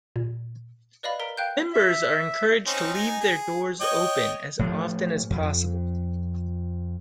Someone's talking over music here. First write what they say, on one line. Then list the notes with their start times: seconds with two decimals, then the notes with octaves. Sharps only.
Members are encouraged to leave their doors open as often as possible.
0.16 A#2
1.03 B4 D5 D#5 F5 B5
1.20 A#4 A#5 B6 D7
1.37 F5 G5 F#6 G6
1.74 E5
2.66 C4 C#4 D#4
2.94 D#4 G#5
3.21 G#4
3.81 C#5 D#5 G5
4.59 A2 F3 A3
5.30 F2